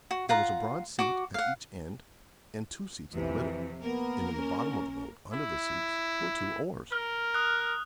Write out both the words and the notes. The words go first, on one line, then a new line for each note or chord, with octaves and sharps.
There was a broad seat at each end and two seats in the middle, and in the bottom of the boat, under the seats, were two oars.
F#4
F4 F#5 A#5
F#4 D6
F5 F#5
F2 C3 E3
A#3 B3 A#4
C#4
E4
A#4 F6
D#6 F#6